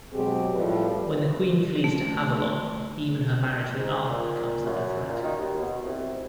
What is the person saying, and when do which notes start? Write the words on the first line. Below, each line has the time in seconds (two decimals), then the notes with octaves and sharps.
When the Queen flees to Avalon, even her marriage with Arthur comes under threat.
0.13 B2 F#3 G#3 C4 G4 G#4
0.53 A2 F3 G3 B4
1.84 A3
3.78 G#2
4.10 A#2
4.66 F#2
5.07 A#2
5.23 D#3
5.39 D#2
5.61 B2
5.84 C2